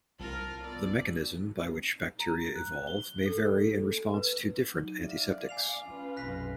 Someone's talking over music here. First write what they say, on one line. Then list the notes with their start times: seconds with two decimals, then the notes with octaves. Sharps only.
The mechanism by which bacteria evolve may vary in response to different antiseptics.
0.20 C2 F4 A#4 A5
0.64 B3 D5 E6
2.20 A#5
2.56 F#6
2.87 G7
3.26 A4
4.14 B4
4.72 F#3 D#4
5.05 D5 E5 F5
5.49 G#5 D6 C7 F7
5.85 C#4 F4 B4
6.17 B1 F#2 C3 F#6 A#6 B6